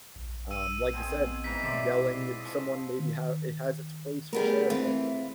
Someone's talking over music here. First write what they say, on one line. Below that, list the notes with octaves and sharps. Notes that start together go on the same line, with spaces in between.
um, like you said, y yelling at someone, maybe, ha it has its place, for sure, but,
A#1
E6 D#7
B2 C4 G#4
G#2 E3 A#5 B6 C7
B2 C5 D5 E5
F3 D#5
D#3
G3 A3 B3 G#4 A#4
E3 A3 C4 F4 C5